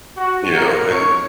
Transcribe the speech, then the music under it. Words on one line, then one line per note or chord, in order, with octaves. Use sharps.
you know, and
F#4
A#4
C#5